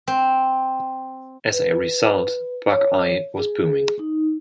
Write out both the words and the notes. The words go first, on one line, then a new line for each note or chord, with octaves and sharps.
As a result, Buckeye was booming.
C4
B4
C#5
G#4
D#4